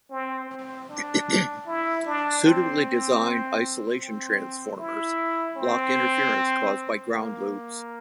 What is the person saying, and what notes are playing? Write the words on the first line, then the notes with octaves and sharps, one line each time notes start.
Suitably designed isolation transformers block interference caused by ground loops.
C4
C4
D4
E4
D4
C4
C4
E4
C4
A#3